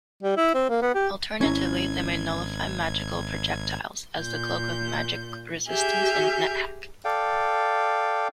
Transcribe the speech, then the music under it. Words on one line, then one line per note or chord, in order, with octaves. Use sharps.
Alternatively, they may nullify magical projectiles, as the "cloak of magic resistance" in NetHack.
G3
E4
C4
A#3
B3
G4
G#1 C#4 E4 A#5 G#6
A#2 G6
G4 G#4 E5 G#5 F6 G6
A4 D5 F5 G5